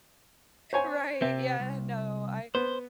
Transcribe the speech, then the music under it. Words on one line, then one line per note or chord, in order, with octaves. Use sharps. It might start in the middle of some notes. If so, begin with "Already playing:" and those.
Right, Yeah, no, I
C5 C#5 G#5
C3 C4 E5
C2
B3 C5